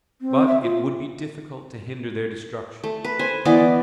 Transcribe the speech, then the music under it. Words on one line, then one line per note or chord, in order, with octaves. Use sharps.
But it would be difficult to hinder their destruction.
C4
E5
F4
A3
B4
C5 G#5
E3 B3 D5 D#5